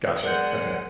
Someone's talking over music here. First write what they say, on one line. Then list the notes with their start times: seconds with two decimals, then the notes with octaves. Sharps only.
Gotcha, okay.
0.23 G#3 A#4 D5 F#5 G6